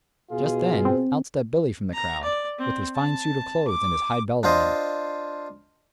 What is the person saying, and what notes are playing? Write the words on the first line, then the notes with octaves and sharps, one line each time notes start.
Just then, out stepped Billy from the crowd, with his fine suit of clothes and his hide belt on him.
B2 F4 G#4
C4
A#5
D5
C4
A5
D6
D4 F4 C5 D#5